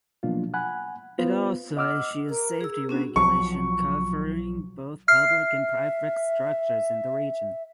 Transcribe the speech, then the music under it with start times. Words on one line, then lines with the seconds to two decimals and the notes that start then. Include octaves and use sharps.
It also issues safety regulation covering both public and private structures in the region.
0.23 B2 F3 F#3 A#3 D4 F4
0.54 F#5 G#5 B5 F#6
1.19 B3 F4 B4 C5
1.77 D#5 F#5 D6 E6 F6
2.29 A#4
2.61 G#4 E6
2.89 B3 C#4 D4 F#4
3.16 B1 F3 F#3 C#6
5.08 E5 F6 C7